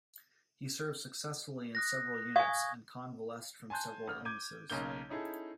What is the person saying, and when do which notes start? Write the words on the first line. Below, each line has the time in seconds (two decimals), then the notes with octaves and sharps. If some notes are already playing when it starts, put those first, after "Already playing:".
He served successively in several units and convalesced from several illnesses.
1.75 D#6 F#6 A#6
2.36 F5 G#5 C#6 D#6 G#6
3.70 G#5 A5 C6 F#6 G6
4.08 A1 F6
4.25 D6 G6 G#6 D#7
4.70 B1 C#3 A#3 A#4 G6 G7
5.09 C#4 D#4 E4 G#4 A4